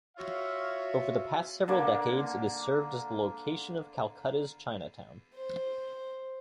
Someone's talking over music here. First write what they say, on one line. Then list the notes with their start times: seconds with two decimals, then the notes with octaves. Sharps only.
Over the past several decades, it has served as the location of Calcutta's Chinatown.
0.17 F4 F#4 C#5 E5 F5
1.68 D3 A#3
5.35 C5